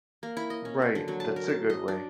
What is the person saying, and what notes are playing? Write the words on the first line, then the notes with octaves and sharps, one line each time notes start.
Right, that's a good way.
A#3
E4
D#5
C#4
F#4
D3
F#3
A5
A#4
A5
D#5
D4